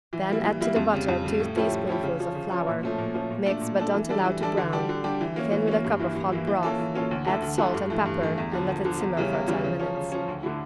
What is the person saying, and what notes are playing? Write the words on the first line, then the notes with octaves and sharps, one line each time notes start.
Then add to the butter two teaspoonfuls of flour, mix but don't allow to brown, thin with a cup of hot broth, add salt and pepper and let simmer for ten minutes.
E3
G3 A#3 E4
E3
G3 A#3 E4
F2
C#3 G3
F2
C#3 G3
A2
F3 C#4 E4 G4
A2
F3 C#4 E4 G4
C#3
F3 C#4
C#3
F3 C#4
A#2
F3 A3 C#4
A#2
F3 A3 C#4
A#2
A3 D4 A4
A#2
A3 D4 A4
E3
G3 D4 A4
E3
G3 D4 A4
D3
G3 D4 G4
D3
G3 D4 G4
E3
A#3 C#4
E3
A#3 C#4
G2
E3 A#3 E4
G2
E3 A#3 E4
E3
A#3 C#4 F4 A4
E3
A#3 C#4 F4 A4
D2
D3 A3 E4 A4
D2
D3 A3 E4 A4
G2
E3 A3
G2
E3 A3
E2
D3 F3
E2
D3 F3
E2
C#3 E3 G3 C#4
E2
C#3 E3 G3 C#4
C#3
F3 C#4
C#3
F3 C#4
D2
D3 A3 E4